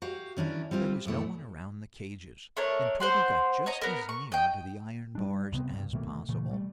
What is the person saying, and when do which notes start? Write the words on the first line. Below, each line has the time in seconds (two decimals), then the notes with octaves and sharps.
There was no one around the cages, and Toby got just as near to the iron bars as possible.
0.02 F#4 G4 F5
0.37 D#3 C#4 D4 E4
0.71 G3 C4 F4 G4
1.05 F#2 A#2 A3 E4
2.57 A3 D4 A#4 C#5
3.00 C5 F#5 C6
3.66 C#5 D#5 A#5
3.81 B3 A#4
4.09 C#6
4.32 D#5 G5
5.15 G3 D4
5.52 C#2 C3 B3 C4
5.71 C#2 G2
5.93 B2 D#3 A3 A#3
6.29 A#2 C#3 E3 A3
6.51 G3 A3